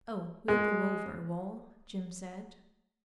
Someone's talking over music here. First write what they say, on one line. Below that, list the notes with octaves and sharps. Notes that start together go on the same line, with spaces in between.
"Oh, we'll go over, Wal," Jim said.
G#3